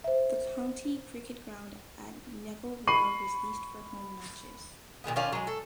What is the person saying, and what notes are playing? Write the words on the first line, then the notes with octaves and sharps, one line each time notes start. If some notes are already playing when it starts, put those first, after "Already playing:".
The County Cricket Ground at Nevil Road was leased for home matches.
C5 E5
B5 C#6 C7 D#7 F#7
A#2 D#3 G#3 B3
D#3 C#4 F4 D5
F#3 G#3
A4